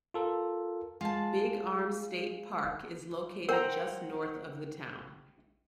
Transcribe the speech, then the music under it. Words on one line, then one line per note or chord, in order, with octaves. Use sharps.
Big Arm State Park is located just north of the town.
F4 A4 A#4
G#3 F4 D5 A5
A#4 C5 F#5 G5 A#5